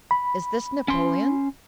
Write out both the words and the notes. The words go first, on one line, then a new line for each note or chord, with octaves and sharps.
"Is this Napoleon?"
B5
C#4 C6